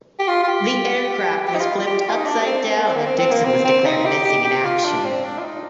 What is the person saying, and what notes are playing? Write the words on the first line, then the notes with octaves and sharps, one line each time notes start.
The aircraft was flipped upside down and Dickson was declared missing in action.
G4
F4
F4
G4
G4
D#4
F4
G4
G4
F4
D#4
D4
C4
C4
A#3
C4
A#3
C4
C4
A#3
C4
C4
D#4
G4
G4
G4
F4
D4
C4
D4
F4
D#4